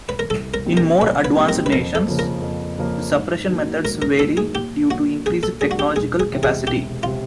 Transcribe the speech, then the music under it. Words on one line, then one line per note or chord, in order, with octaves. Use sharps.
In more advanced nations, the suppression methods vary due to increased technological capacity.
B4
A#4
C2 A4
A#4
A#2 G3 C4 D#4
A#4
C2 B4
B4
A#2 G3 C4 D#4
A#4
B4
F2 A#4
A4
C#3 F3 A#3
A#4
F2
C#3 F3 A#3
G#2
D#3 F#3 A#3
G#2 A#4
A#4
D#3 F#3 A#3 A4
G#4
A#2 G4
F#3 A#3 D4 F#4
A#2 G#4
A4
F#3 A#3 D4 G#4
F#4
G4
E1 G#4
G#4
E2 C3
G#4
E1 G4
C3 F4